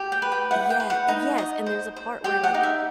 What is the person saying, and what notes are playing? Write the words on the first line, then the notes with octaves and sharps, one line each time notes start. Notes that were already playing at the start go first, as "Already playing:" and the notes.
Yeah, yes, and there's a part where, like,
Already playing: G4
G5
B4
G5
E4 F#5
G5
B4
F#5
D#4
D#5
C5
C5
G4 G5
F#5
D#4
E5